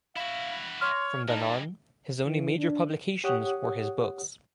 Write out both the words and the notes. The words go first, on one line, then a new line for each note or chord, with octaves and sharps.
From then on, his only major publications were his books.
E4 F#4 F5 B5
C#5 C6 F6
G3 G#3 D#4 A5
E3
D4
G4 C#5 F#5 D#6